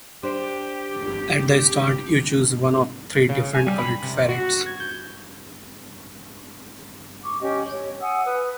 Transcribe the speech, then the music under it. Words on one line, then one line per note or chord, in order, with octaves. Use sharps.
At the start you choose one of three different coloured ferrets.
D4 G4 C5
C#3
G#5
G3
B5
C3
F#4
G#6
G6
C#6 D6
C#4 G4 D#5 D6
C#5
F#5 G#5 D#6 E6
B4 D#6